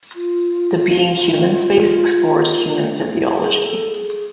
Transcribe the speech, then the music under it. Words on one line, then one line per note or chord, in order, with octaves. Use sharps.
The Being Human space explores human physiology.
F4
E4
G#4
A4
G#4